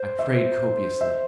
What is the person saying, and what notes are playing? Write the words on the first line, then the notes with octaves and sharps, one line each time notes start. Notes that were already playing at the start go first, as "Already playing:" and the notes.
I prayed copiously.
Already playing: C5
E5
E5